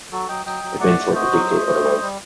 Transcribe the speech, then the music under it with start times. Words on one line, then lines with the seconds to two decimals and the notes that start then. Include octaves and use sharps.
Events were to dictate otherwise.
0.12 F#3 F#4 A4
0.29 F#3 D#5 G5
0.46 F#3 D#5 G5
0.63 F#3
0.80 A3 D5 F#5
0.98 A3
1.15 F#4 C5 D#5
1.31 F#3
1.49 A3
1.67 A3
1.84 G3
2.02 G3